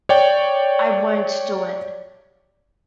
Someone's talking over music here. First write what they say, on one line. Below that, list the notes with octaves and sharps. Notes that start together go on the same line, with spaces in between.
I won't do it.
C#5 D5 G5